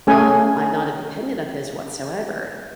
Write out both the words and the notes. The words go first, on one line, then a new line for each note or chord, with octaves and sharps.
um, I'm not a dependent of his whatsoever,
A3 C#4 G#4 G#5